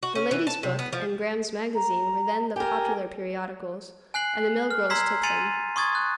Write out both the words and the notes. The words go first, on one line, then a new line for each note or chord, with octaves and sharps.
"The Lady's Book" and "Graham's Magazine" were then the popular periodicals, and the mill-girls took them.
F#4
C#4
E3
A5
C3
B3
F3
A#5
G4 A#4 G#5
G#5 F#6 C7 F#7
F6
A#5 C6 E6 G#6 B6 C7
G#5 C6 A6 C#7 D#7 F7
C6 C#6 D#6 G#6 A6
F#6